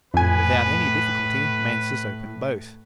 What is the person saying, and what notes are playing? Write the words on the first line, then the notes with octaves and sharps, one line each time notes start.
Without any difficulty Mansus opened both.
F2 A2 B4 G#5